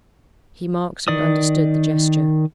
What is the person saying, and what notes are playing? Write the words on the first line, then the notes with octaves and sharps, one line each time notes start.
He marked and understood the gesture.
D#3 D5 D#6